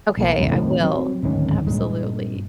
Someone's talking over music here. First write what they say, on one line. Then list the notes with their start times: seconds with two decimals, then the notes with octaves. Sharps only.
Okay, I will. Absolutely.
0.17 B1 A#3
0.38 E1 C#2 A2
0.51 A2 C3 D#3
0.81 F#3 C4
1.23 D1 G#1 D#3 C#4
1.67 G2 A#2 G#3